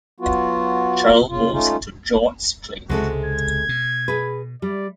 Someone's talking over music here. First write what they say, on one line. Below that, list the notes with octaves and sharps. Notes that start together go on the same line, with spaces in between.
Cheryl moves into George's place.
F#3 B3 F4 F#4
C#3 F4
A3 C#4 D#4 F4
C#2 C3 G#3 F#4 A4
G#6
B2
G#4 B4
G3 D5